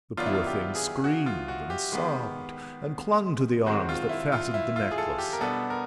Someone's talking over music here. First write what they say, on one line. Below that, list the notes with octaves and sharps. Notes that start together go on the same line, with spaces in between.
The poor thing screamed and sobbed, and clung to the arms that fastened the necklace.
D#3 F#3 B3 D4 F4
E4
F4
G4
G#4
F#4
F4
F#4
G4
D#3 G#3 B3
D#3 G#3 C4 F#4
F4
E4
F4
E4
F4
G#4
A4
G4
A#4
B2 G3 B3 D4 A4
A#4